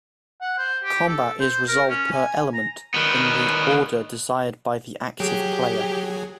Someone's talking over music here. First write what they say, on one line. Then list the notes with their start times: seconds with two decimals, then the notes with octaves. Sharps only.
Combat is resolved per-element, in the order desired by the active player.
0.41 F#5
0.58 C5
0.84 G4
1.08 A4
1.40 C5
1.68 A#4
1.89 C#4
2.12 G#5
2.54 A#5
2.94 D#3 B3
5.20 F#3 G4 G#4